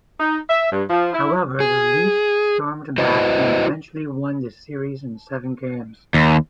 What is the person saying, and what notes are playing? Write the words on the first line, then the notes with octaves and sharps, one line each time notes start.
However the Leafs stormed back and eventually won the series in seven games.
D#4
E5
G2
F3
E4
G#4
E4 F#4 B4 C5 D#5
D#2